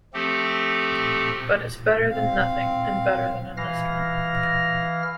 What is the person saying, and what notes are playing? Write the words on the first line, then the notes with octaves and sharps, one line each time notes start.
But it's better than nothing, and better than enlistment.
F3 A3 C4 G4 A4
C4 F5
E3 F5 F6 A#6